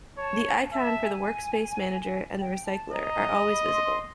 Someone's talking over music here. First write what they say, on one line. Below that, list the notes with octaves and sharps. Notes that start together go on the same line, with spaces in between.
The icon for the Workspace Manager and the Recycler are always visible.
C#5 A5
A5
G#5
E5 A5
G#5
G5
A5
D#5 A#5
B5
C6
C6